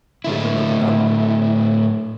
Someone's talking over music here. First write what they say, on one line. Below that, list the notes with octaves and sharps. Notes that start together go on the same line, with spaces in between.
"Did you look it up?"
A2 D3 E4